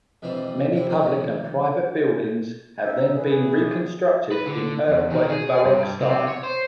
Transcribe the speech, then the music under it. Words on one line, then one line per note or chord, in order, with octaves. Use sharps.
Many public and private buildings have then been reconstructed in earthquake Baroque style.
F2 B2 E3 G#3 C4 D4
C3 C4 E4
F2 A2 D3 D#3 F3
F#2 D#4 E5
E3 G#4 B4
B4
D3
E2
D#3
G#4
G2
C3
C#5
C5